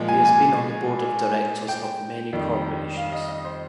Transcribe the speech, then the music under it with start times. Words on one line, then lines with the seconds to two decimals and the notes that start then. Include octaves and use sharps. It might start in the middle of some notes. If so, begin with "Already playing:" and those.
He has been on the board of directors of many corporations.
Already playing: A#2 F3 G#3
0.08 G#5
0.25 G#5
1.68 G5
2.33 F2 D#3 G3
2.97 F5
3.12 D#5
3.28 D#5
3.45 C5